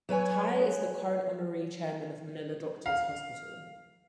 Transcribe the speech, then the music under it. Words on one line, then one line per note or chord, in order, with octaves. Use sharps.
Ty is the current honorary chairman of Manila Doctors Hospital.
F#3 B4 C#5 G#5
F5